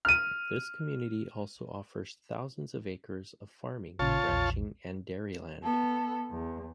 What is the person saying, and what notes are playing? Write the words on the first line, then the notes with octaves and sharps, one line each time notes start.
This community also offers thousands of acres of farming, ranching, and dairy land.
F6 D#7
A1 A#2 C#3 F4 C#5 A5
A#1 E2
B3 A4
E2